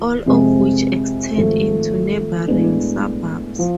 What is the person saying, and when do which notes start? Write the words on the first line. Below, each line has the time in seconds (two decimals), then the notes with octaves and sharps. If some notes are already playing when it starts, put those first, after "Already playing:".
All of which extend into neighbouring suburbs.
Already playing: E3
0.26 F2 C3 G#3 C4
1.37 G#1 G#2 F3 A3
2.48 A2 G#3 B3 D4
3.59 F3